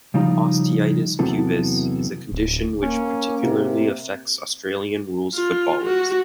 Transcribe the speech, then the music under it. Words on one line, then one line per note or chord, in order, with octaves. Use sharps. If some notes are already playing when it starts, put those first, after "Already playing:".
Osteitis pubis is a condition which particularly affects Australian rules footballers.
C#3 F3 G3 D#4 F4 A#5
E2 C3 F#3 B3 E4 A4
D1
A#3 C#4
C3
F4
F#4